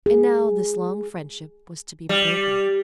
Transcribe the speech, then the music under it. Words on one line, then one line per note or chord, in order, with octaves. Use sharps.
And now this long friendship was to be broken.
G#4
G3